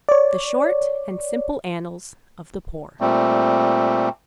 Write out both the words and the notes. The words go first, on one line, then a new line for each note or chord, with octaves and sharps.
"The short and simple annals of the poor."
C#5 D5
A#2 G3 A3 C4